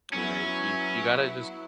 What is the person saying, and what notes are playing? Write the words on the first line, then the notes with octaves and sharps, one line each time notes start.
you know, you you gotta just
F#3 B3 C#4 E4